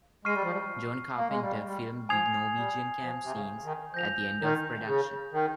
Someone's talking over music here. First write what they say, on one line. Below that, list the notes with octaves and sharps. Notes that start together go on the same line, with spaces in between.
John Carpenter filmed the Norwegian camp scenes at the end of production.
G#3 C#6 F6 C7 D#7
G3
F3
G3
A#3
G#3
G3
G#3
G3
F3 G#5 D#6 G#6 C7 F7
G3
F3
C3
C#3
D#3
F3 G6 A#6 F7
D#3
C#3
D#3